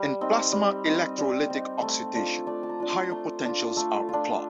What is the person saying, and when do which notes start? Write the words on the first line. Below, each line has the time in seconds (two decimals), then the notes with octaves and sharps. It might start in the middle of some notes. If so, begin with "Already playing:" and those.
In plasma electrolytic oxidation, higher potentials are applied.
Already playing: G3
0.21 C4 D#4
0.52 G3
0.85 C4 D#4
1.18 G3
1.50 C4 D#4
1.82 A3
2.15 D4 F4
2.47 A3 D5
2.63 A5
2.69 A#5
2.80 D4 F4
2.90 C6
3.11 A3 A#5
3.45 D4 F4
3.77 A3 F5
4.09 D4 F4